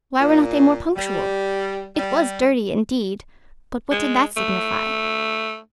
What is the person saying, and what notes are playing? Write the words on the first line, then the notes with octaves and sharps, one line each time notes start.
Why were not they more punctual? It was dirty, indeed, but what did that signify?
A#2
G3
G3
G#3
A3